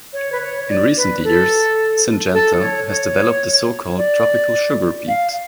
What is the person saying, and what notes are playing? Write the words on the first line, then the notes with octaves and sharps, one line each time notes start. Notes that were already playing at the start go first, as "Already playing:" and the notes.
In recent years, Syngenta has developed the so-called tropical sugar beet.
C#5
B4
C#5
D5
B4
A4
A4
C#5
C#5
D5
F5